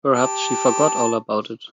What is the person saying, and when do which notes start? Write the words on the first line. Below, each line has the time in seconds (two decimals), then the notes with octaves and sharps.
Perhaps she forgot all about it.
0.13 G4 A5